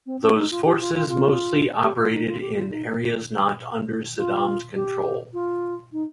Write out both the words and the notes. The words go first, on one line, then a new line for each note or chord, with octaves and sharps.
Those forces mostly operated in areas not under Saddam's control.
C4
C#4
D#4
F4
G4
F4
F4
F4
G4
F4
D#4
F4
G4
F4
D#4
F4
G4
F4
D#4